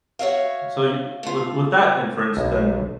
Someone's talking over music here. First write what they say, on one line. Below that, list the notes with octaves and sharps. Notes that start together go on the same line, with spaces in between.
so you with with that inference, then
F#4 C#5 E5 F5
A3 F4
B1